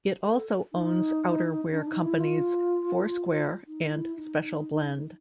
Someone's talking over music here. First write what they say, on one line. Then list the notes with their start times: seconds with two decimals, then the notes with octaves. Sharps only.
It also owns outerwear companies Four Square and Special Blend.
0.24 A4
0.73 D#4
1.71 D4
1.87 D#4
2.03 E4
2.20 F4
3.67 D#4
3.91 E4
4.16 D#4